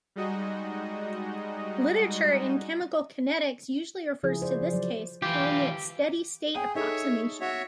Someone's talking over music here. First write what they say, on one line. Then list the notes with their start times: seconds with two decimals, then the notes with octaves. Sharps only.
Literature in chemical kinetics usually refers to this case, calling it "steady state approximation".
0.16 G3 G#3 D#4 F#4 D#5
4.23 C#3 F3 E4 G#4
4.42 C5 D5
4.61 F3
4.73 F#3 D5
5.22 E3 F4 G4
6.55 G#4 G5 D#7
6.75 D#4 G#4 A4 C#5 E5
7.40 F#4 C#5 E5